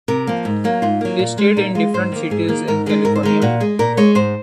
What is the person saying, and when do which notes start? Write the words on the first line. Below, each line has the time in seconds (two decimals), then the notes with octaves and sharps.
They stayed in different cities in California.
0.08 C3 A#4
0.27 F3 A#3
0.45 G#2
0.64 F#3 A#3
0.82 G#2 F4
1.01 F#3 A#3
1.19 A#2
1.38 G#3
1.57 A#2 D#4
1.75 G#3 F4
1.94 G#2 C5
2.12 D#3 A#3
2.30 G#2 G#4
2.49 D#3 A#3
2.68 G#2 A#4
2.86 D#3 G#3 G#4
3.05 G#2 A#4
3.16 C5
3.23 D#3 G#3 A#4
3.42 A#2 F#4
3.60 G#3 G#4
3.79 A#2 A#4
3.97 G#3 C#5
4.15 G#2 C5